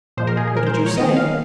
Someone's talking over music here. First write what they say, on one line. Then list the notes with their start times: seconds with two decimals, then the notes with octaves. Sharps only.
"What did you say?"
0.17 A#2 F3 G#3 C5
0.27 A#4
0.37 G#4
0.47 G#4
0.57 A#4
0.67 C5
0.77 A#4
0.86 C#5
0.97 D#3 A#3 C#4 D#5
1.16 F5